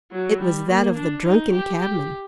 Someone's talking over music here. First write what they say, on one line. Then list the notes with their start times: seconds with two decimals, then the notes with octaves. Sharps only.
It was that of the drunken cabman.
0.12 F#3
0.41 G3
0.69 A#3
0.97 D4
1.25 D#4
1.53 G4
1.81 G4